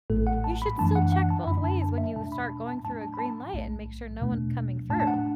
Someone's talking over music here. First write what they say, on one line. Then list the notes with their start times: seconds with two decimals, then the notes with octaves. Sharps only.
"You should still check both ways when you start going through a green light and make sure no one's coming through."
0.10 A1 A2 A3 A4
0.27 F#5
0.44 A5
0.62 B5
0.78 F#2 E3 A3 D4 A5
0.95 F#5
1.12 F#5
1.30 A5
1.47 F#2 D3 A3 D4 B5
1.64 A5
1.82 A5
1.98 E5
2.15 E2 B2 A3 D4 A5
2.32 B5
2.50 A5
2.67 A5
2.84 A2 A3 D4 A5
3.01 A5
3.14 B5
3.19 A5
3.53 B1 A2 A3
4.21 E2 B2 A3 D4
4.90 A2 A3 D4 A5
5.00 A5
5.07 F#5